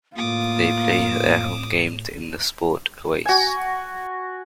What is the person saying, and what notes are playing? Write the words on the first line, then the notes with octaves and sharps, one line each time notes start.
They play their home games in the SportOase.
A2 A#3 F4 D6 D#6
F#4 G#5